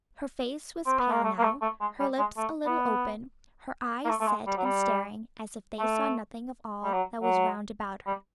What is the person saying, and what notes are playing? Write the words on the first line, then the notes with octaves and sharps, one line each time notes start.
Her face was pale now, her lips a little open, her eyes set and staring as if they saw nothing of all that was round about her.
C4
B3
A#3
A3
A#3
A3
A3
G#3
G3
G#3
A3
B3
A#3
A3
A3
G#3
G3
F#3
G3
A3
G3
F#3
F#3
G3